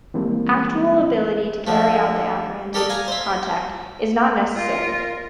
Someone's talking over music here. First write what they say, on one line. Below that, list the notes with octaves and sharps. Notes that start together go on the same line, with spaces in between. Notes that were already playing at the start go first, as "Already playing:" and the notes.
Actual ability to carry out the apprehended contact is not necessary.
E3 G3 G#3 A#3 C4
D3 F3 A3
G4 A4 A#4 D5 A5 D#6
F5 G#5 A#5
C5 E5
F4 A#4